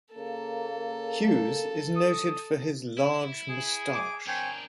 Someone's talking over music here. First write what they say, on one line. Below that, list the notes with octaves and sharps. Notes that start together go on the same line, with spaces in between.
Hughes is noted for his large moustache.
C#3 A#3 A4
D#6
E4
G#4
D6
C4 D4 A#4 C#5 G5 G#5